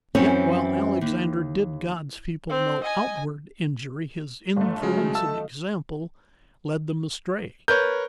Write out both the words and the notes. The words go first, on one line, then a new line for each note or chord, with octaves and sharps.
Yet while Alexander did God's people no outward injury, his influence and example led them astray.
F#2 E3 C4 C#4
D#2
C4
D#5 G#5
G1 A3
C#3 F#3 G#3 F#4 F6
A3
A4 D#5 F5 A5 E6
A#4 B4 C#5 G6